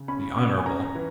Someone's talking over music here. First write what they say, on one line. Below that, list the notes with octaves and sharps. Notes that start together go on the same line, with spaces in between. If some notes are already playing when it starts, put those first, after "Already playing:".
The Hon.
Already playing: C#3
C#4 B5
C#4
G#5
C#4 A#5
E3